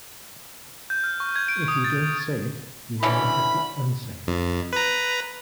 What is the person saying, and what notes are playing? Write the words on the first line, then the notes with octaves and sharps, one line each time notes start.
If you don't say it you will not have to unsay it.
G6
F6
C#6
G#6
D7
D#6
A6
D3 E3 C#4 B5
F2
B4 A#5